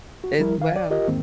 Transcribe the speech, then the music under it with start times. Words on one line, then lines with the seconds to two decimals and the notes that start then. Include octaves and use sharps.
as well.
0.24 F#4
0.39 F3 G3 E4 A#4
0.58 D#3 F5
0.76 D5
0.91 F4 G4 A#4 D#5
1.08 E2 G#2 D#3 A#3 C4